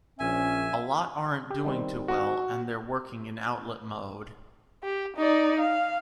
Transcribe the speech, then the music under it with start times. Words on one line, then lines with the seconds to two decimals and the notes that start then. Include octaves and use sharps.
A lot aren't doing too well and they're working in outlet mode.
0.20 A#1 C#4 E5 G#5
1.50 G4
1.64 D#3 G3 C4
2.08 F#4
4.83 G4
5.16 D#4 D5
5.59 F5